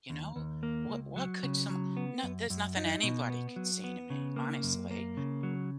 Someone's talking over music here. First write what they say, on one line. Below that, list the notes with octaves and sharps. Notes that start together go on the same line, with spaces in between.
you know, what what could some no, there's nothing anybody could say to me, honestly.
D#2
D#2
A#3
C#2
F#3
C#3
F#3
B3
F#2
F#2
D#4
B2
B3
F#3
B3
C#3
A#3
F#2
A#3
C#3
F#3